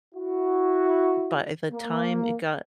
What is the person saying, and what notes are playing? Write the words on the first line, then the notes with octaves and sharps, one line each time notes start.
but at the time it got
E4 F#4
A#3